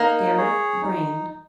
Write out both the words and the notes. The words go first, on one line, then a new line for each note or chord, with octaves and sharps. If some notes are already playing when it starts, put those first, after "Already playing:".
Deryck Brand.
Already playing: A#3 D#4
G#4 C#5
D#4